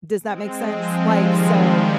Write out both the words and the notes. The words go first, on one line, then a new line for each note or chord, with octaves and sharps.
Does that make sense? Like, so,
G#3 C4
F3 G#3
D#3 G3
F3 G#3